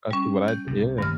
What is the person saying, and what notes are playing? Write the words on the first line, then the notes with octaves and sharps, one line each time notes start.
that's to what I yeah.
G3 C#4
G6
C2 C3
G2 D#3 A3 A#3 F6